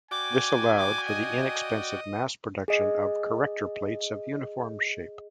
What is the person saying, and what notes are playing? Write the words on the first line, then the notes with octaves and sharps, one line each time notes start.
This allowed for the inexpensive mass production of corrector plates of uniform shape.
F#4 D5 G5 G#5 D6
D6
D#5
G#4 D#5